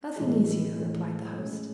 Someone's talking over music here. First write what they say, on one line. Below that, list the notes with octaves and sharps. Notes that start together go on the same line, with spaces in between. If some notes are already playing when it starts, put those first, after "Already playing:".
"Nothing easier," replied the host.
A2 E3 G#3
A2 E3 G#3
A2 G#3 C#4